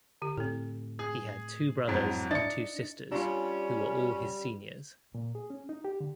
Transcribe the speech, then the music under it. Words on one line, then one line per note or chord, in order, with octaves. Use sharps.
He had two brothers and two sisters who were all his seniors.
D3 G4
A2 C4 A4
G#4
F2 G#2 F#3 E4 C5
D4 D#4 D#5 E5 A6 C#7
G3 C#4 D4 F4
A#2
G#4
C#4
D#4
G4
D3